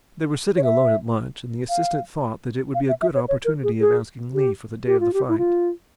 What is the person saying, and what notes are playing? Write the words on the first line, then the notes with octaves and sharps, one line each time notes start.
They were sitting alone at lunch, and the assistant thought that it would be a good opportunity of asking leave for the day of the fight.
C#5
E5
F5
F5
E5
E5
C#5
C#5
A#4
G#4
G#4
G4
G4
F4
G4
E4
F4